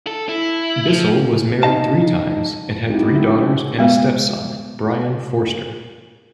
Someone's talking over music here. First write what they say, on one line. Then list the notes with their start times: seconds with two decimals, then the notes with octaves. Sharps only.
Bissell was married three times and had three daughters and a stepson, Brian Forster.
0.07 A4
0.29 E4
0.88 F3
1.63 D#4 D#5 F5 A5
2.90 G#3 C4 D#4 E4 F#4 G4
3.15 F#3 G#3 G4 E5
3.39 C#4 F4 G4
3.79 G#3 B3